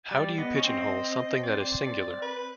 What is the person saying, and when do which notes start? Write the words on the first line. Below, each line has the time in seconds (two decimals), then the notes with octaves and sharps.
How do you pigeonhole something that is singular?
0.11 G3 D5
0.38 B3 D#5
0.56 C#4
0.64 C4
1.43 D5
1.83 D5
2.22 B4